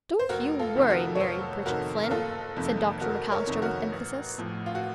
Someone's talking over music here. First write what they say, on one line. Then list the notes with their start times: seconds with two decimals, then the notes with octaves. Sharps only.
"Don't you worry, Mary Bridget Flynn," said Dr. McAllister with emphasis.
0.19 C5
0.29 F1 F#4 A#4
0.59 F4 A4
0.75 F2 C3 D#3
0.90 F#4 A#4
1.15 C#5
1.20 F1 A4 C5
1.65 F2 C3 D#3 F#4 A#4
2.04 A#4
2.11 F#1 F4 A4
2.57 F2 C3 D#3
3.01 F#1 F#4 A#4
3.32 A#4 C#5
3.47 F2 C3 D#3
3.62 F#4 A#4
3.92 A1
4.38 A2 F3
4.66 F4
4.75 F#4